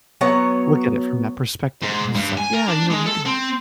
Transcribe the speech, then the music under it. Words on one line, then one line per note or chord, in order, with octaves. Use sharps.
look at it from that perspective because it's like, "Yeah, you know, you could
F#3 B3 C#5 F#5
G#2
G2
G#5
A#4
D4
G#3
A4
C4